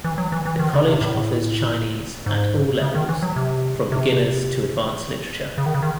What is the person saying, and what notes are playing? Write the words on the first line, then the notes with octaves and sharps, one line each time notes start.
The College offers Chinese at all levels, from beginners to advanced literature.
E3
F#3
E3
E3
D#3
C#3
C3
A2
G#2
C#3
D#3
E3
F#3
C3
C3
C#3
D#3
C#3
D#3